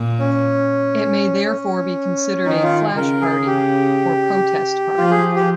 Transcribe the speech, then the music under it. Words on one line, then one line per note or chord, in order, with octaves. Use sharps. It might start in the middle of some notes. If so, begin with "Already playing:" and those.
It may therefore be considered a "flash party" or protest party.
Already playing: A#2
C#4
C#4
D#3 D#4
F4
C#3 A#4
G#4
G4
F3 F4
G#4
G4